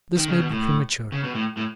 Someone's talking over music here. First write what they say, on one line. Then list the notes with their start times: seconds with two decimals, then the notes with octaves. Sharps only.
This may be premature.
0.17 D#3
0.28 C#3
0.39 B2
0.50 A2
1.12 C#3
1.24 B2
1.35 A2
1.57 A2